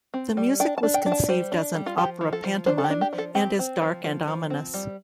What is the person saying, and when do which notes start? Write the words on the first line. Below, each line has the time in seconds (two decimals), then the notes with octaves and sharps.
The music was conceived as an opera pantomime, and is dark and ominous.
0.14 C4
0.37 G3
0.60 D4 G5
0.78 A5
0.83 D4
0.94 G5
1.06 D4
1.12 A5
1.29 G3 C5
1.52 D4
1.75 G3
1.86 F4
1.98 F3 G4
2.21 F3
2.33 A4
2.44 F3
2.66 D4 C5
2.78 A4
2.84 G4
2.90 D4
3.01 G4
3.13 F3
3.18 A4
3.35 C4 G4
3.59 C4
3.82 F3
4.04 F3
4.28 F3
4.50 C4
4.74 G3